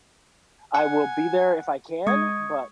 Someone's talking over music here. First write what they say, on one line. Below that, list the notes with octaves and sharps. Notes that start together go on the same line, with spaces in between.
I will be there if I can, but"
F#5 G#5
G#3 D#5 C#6 D#6 G#6